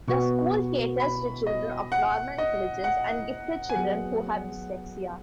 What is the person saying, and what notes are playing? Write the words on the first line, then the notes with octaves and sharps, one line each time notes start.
The school caters to children of normal intelligence and gifted children who have dyslexia.
B2 B3 F#4 C#6
B5
D#5
F#5
D#5
F#5
G#5
F#3 B3 G#4 F#5